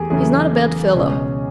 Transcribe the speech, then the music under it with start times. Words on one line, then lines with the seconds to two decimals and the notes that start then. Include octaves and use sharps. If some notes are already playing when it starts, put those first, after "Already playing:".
He's not a bad fellow.
Already playing: E2 A3 G4 G#4
0.10 E2 C#3 F#3 A3 G#4
0.95 C#2 B2 G#3 C#4